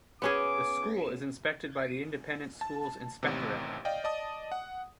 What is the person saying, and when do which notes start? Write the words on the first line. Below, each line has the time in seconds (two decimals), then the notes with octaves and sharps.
The School is inspected by the Independent Schools Inspectorate.
0.22 B3 C#4 G#4 D6
2.61 A5
3.23 A1 D#2 C3
3.85 D5 D#5 F5 G5
4.04 D5 D#5 A5 D#6
4.52 F#5